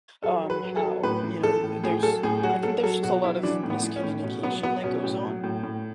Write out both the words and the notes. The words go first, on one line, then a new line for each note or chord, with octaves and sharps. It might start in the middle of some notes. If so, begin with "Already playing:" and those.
um, how, you know uh, there's I think there's just a lot of miscommunication that goes on,
F#3 A4
F#3
B4
F#3
A4
F#3
A2 B4
E3
E3 A4
A2
A2 G#4
F#3 A4
A2 G#4
F#3 F#4
F#3 A4
F#3 A4
B2 F#4
F#3 E4
E3 D4
A2
B3
E3
C#4
A2
B2 C#4
F#3 B3
F#3 B3
B2 C#4
A2
F#3
A2
A2